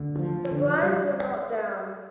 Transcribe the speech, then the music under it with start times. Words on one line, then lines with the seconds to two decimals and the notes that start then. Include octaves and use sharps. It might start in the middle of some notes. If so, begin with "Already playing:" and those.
The blinds were not down.
Already playing: D2 D3
0.19 F3
0.51 D3
0.67 F3
0.83 G3